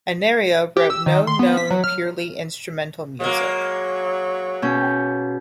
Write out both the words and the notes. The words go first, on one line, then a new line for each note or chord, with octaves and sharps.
Anerio wrote no known purely instrumental music.
G4
E6
D#3
C6
B3
B6
F#3
F6
F#3 G#3 A#3
B2 C#4 G6